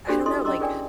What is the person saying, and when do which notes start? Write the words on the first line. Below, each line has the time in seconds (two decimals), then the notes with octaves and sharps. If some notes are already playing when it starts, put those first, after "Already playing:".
I don't know, like
0.07 D4 F#4 G4 A4 C5 D5
0.26 E4 A4 D#5 C6 D#6
0.45 C#4 D#5 A#5 C6 D6 E6
0.60 G#4 A#4 C#5 D5 G5 G#5